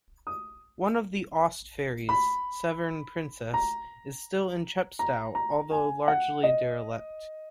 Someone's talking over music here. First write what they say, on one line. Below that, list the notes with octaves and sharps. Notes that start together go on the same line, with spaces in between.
One of the Aust ferries, "Severn Princess", is still in Chepstow although largely derelict.
D#6
B5
A#5
A#5
A#5
G#5
F#5
D#5